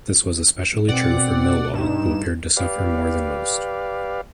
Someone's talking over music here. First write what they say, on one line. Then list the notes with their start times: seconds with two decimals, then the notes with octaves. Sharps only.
This was especially true for Millwall, who appeared to suffer more than most.
0.88 B2 C4 D5 F#5
1.74 G2 D#4 E7
2.57 G4 B4 D5 F5